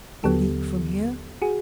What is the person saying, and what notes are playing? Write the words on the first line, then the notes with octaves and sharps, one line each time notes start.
"A league from here."
D#2 D3 F#3 B3 G4 A4
F#4 G#4